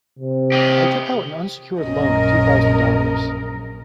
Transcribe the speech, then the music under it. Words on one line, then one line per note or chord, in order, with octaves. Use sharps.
I took out an unsecured loan of two thousand dollars.
C3
G4 D#5
A#1 F#2 C#4 A#4 D#5